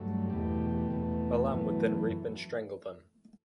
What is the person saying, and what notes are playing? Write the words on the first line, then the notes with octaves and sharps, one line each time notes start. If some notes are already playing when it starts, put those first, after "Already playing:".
Balaam would then rape and strangle them.
Already playing: G2 F#3 A3
E2 B2 A3 G4
E2 B2 A3
F#2 E3 A3 B3